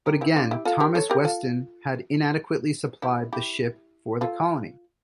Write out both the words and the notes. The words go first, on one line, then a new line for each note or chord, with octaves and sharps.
But again, Thomas Weston had inadequately supplied the ship for the colony.
G4 A#4
E4 G4
D4 F4
E4 G4
F4 A4
G4 A#4
A4 C#5
G4 A#4
F4 A4
E4 G4
E4 G4
F4 A4